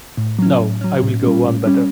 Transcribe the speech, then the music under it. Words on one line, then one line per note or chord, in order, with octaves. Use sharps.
No, I’ll go one better.
A2
F#3 C#4
A2
F#3 C#4
A2
G3 C#4
A2
G3 C#4